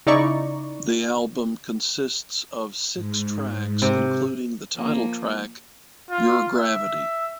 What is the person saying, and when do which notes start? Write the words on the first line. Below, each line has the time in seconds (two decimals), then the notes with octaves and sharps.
The album consists of six tracks including the title track "Your Gravity".
0.06 C#3 D#4 E4 D5 A#5 C#6
2.95 G#2
3.82 C3
4.73 F3 A#3
6.11 F4
6.56 E5